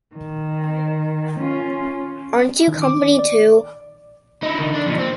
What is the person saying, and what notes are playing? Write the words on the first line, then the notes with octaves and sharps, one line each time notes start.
Aren't you company too?
D#3
C#4 F4
D#3
D6
D5
D#4 E4
D3 D#3
D4
F2 A#2
C4